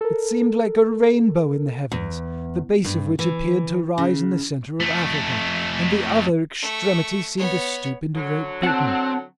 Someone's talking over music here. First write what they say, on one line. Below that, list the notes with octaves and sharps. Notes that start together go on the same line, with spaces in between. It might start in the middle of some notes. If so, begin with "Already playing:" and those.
It seemed like a rainbow in the heavens, the base of which appeared to rise in the centre of Africa, and the other extremity seemed to stoop into great Britain.
A4 A#4
E2
G2
E3
C#3
F2 A3
A3 C#6
B3 C#5
D3 F#3
C4 F#5 A5